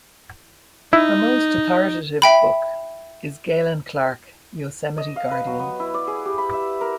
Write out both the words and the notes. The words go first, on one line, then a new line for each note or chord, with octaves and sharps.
Her most authoritative book is "Galen Clark: Yosemite Guardian".
D#4 E4
E5 G5 B5
D#5
F5
B4
F#3
B3
E4
D5
G#4
G4
B5
E5
A#4